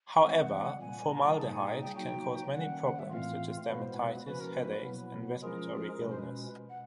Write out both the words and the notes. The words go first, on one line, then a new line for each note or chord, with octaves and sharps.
However, formaldehyde can cause many problems such as dermatitis, headaches, and respiratory illness.
E3 G#3 C4 F#5
A#2 G3 A#3 G#5
A#5
G#5
A#2 G3 A#3 D#4 G#4 A5
G#5
G5
G5
F#3 A#3 D#4 F#4 G5
D#3 G3 A#3 C#4 F#5
E5
A2 E3 A3 C4 F4 F5
B2 G#3 B3 E4 B4
C5
B4
F3 A#3 C#4 F#4 B4
A#4
B4
B2 F#3 B3 E4
F3 G#3 C#4 F4 G#4 A#4
B2 G#3 C#4 B4
C5
B4
F#5